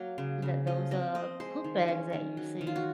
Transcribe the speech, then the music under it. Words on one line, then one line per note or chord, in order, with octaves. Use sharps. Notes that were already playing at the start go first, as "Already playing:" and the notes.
that those, uh, poop bags that you see,
Already playing: F#3 A#3
C#3
C#3
F3 D#5
C4 D#5
C4 D#5
G#3 C5
D#3
C#4
D#3
F#3
D#3
F4
F#4